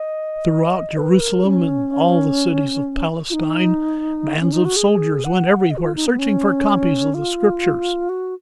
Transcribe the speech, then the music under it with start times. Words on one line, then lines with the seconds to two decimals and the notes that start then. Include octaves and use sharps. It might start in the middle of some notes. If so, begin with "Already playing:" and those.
Throughout Jerusalem and all the cities of Palestine bands of soldiers went everywhere searching for copies of the Scriptures.
Already playing: D#5
0.97 B4
1.20 A#4
1.45 C#4
3.30 F4
3.34 D#4
4.41 C#4
4.52 D#4
4.65 F#4
4.76 G#4
5.24 F#5
5.71 D#5
5.77 F#4
5.83 F4
5.96 D#4
6.07 B3
6.19 C#4
7.14 F4
8.09 F#4